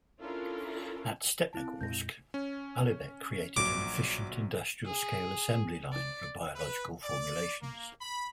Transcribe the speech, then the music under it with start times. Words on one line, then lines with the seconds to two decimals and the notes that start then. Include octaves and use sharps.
At Stepnogorsk, Alibek created an efficient industrial scale assembly line for biological formulations.
0.21 C#4 D4 E4 F4 A4 A#4
1.53 C4 E4 A5
1.81 F2 A#2 G#3 G6 A#6
2.34 C#4
3.57 A#1 F#3 D6
4.86 G#4
5.93 D5
6.55 B4
7.02 D5
7.60 A#3
8.01 B5